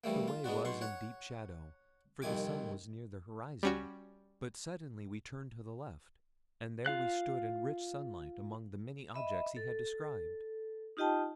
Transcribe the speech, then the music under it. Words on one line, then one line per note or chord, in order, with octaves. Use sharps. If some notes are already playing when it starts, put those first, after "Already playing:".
The way was in deep shadow, for the sun was near the horizon; but suddenly we turned to the left, and there we stood in rich sunlight, among the many objects he had described.
E3 G3 A3 A#3
F4
G#3 B3 D4 F#4
B1 B2 C6 C#6
C#5 F#5
C2 F2 D#3 G#5 D6
G3 C#4 F#4
F4 F5 F#6
D#5 E5 B5
A4
D#4 F4 G4 D#5 G5 A5